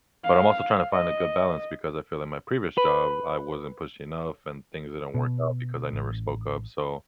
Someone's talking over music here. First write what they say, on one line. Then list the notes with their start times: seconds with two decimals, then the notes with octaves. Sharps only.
but I'm also trying to find a good balance because I feel in my previous job, I wasn't pushy enough and things didn't work out because I never spoke up. So,
0.24 F5
0.93 D#5
2.78 B4
5.14 B2
5.93 A1